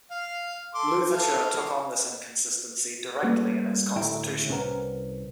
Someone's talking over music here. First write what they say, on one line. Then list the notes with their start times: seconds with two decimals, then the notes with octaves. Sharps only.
Louverture took on this inconsistency directly in his constitution.
0.11 F5
0.75 A4 C6 D6
1.10 E4 A4 F5
3.23 G3 A3 A#3 C#4 B4
3.96 D2 A2 E4 E5 G5 A#5
4.49 C2 C#4 A#4 B4 F#5 A#5